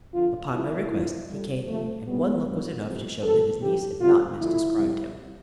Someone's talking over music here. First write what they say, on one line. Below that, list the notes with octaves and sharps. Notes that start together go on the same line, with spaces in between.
Upon my request he came, and one look was enough to show that his niece had not misdescribed him.
F2 D3 F3 F4
F2 C3 E3 G3 E4
G2 F3
A2 G3
D2 C3 F3 A3
A2 G3 B3
G2 F3
F2 C3 E3 G3
F2 E3 G3 A4
F2 E3 G3 G4
D2 C3 G3 F4
D2 D3 F3 E4
F2 C3 G3